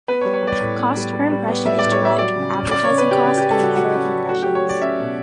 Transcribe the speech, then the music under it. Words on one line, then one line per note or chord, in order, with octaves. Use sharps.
Cost per impression is derived from advertising cost and the number of impressions.
B3 B4
C#5
G3
C#5
G3 D5
A2
B3
G3
G3
G3
B3
G3 E5
A2 D5
C#5
G3 E5
F#3 D5
C#3
C#4
C#4 D5
C#3 C#5
B4
C#3
G4
C#3
C#4 G4
A4
C#3 F#4
F#3 F#4
C#4
F#3
A3 F#4
F#3 G4
C#5
F#3 D5
C#4 E5
B2